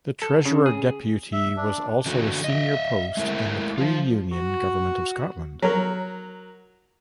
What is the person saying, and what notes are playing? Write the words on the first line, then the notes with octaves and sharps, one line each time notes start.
The Treasurer-depute was also a senior post in the pre-Union government of Scotland.
A4
C#3
G#4
E5
D4
D3 E3 F#4 A4
D#5 E5
G#3 A3 E4 A#4 E5
F3 F4
F#4
F#3 A#4